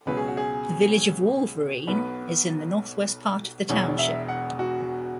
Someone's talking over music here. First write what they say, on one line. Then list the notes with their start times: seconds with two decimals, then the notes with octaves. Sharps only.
The village of Wolverine is in the northwest part of the township.
0.07 C#2 B2 F#3 C#4 B4
0.17 G#4
0.28 F#4
0.37 G#4
1.87 B1 B2 B3 B4
3.69 E1 E2 B2 C#5
3.99 E5
4.28 F#5
4.59 F#4